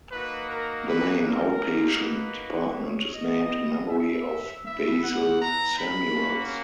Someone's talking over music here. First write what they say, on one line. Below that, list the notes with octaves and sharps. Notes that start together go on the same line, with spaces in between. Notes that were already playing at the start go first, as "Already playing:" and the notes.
The main outpatient department is named in memory of Basil Samuels.
A#3 D#4 F#4 B4
A#4
B4
A#4
A#3 D#4 F#4
B4
C#5
B3 E4 D#5
E5
B3 E4 E5
F#5
A#5
B5
A#3 C#4 F#4